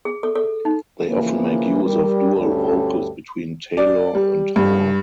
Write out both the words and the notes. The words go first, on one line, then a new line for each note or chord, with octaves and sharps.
They often make use of dual vocals between Taylor and Hall.
G#4
A4
A4
D#4
C#3 E3 F3 A#3
G3 A#4
D2 G2 G3 C#4 A4
D5
G3
G2